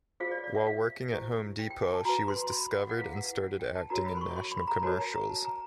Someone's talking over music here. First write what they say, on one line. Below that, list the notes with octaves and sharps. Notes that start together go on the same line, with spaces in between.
While working at Home Depot, she was discovered and started acting in national commercials.
F4 G#4 C5 F5
D5
D5
E5
F5
E4 G4 C5
G5
G5
G#5
A5
F#4 B4 A#5
C6
B5
F#5
F#5
E4 G#4 B4 F5
F#5
F#5
G5
A5
D#4 F#4 A#4 C#5 A#5
B5
C6
C#6
C6
B5
A#5
F#4 A#4 C#5 A5
A#5
A#5
A5
A#5